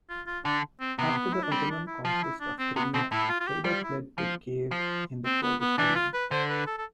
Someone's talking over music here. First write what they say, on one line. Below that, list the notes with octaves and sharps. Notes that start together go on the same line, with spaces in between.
After the Ottoman conquest of Crimea, Hayder fled to Kiev in the Polish Kingdom.
F4
F4
D3 D4
C4
C3 B3
E4
D4
G3 C4
D4
E4
F3 F4
E4
D4
C4
C3 B3
B2 C4
A2 E4
F4
F4
G4
G3 F4
E4
F3
F3
C4
B3
B3
E3 D4
F4
B4
D3 C5
B4
A4
A4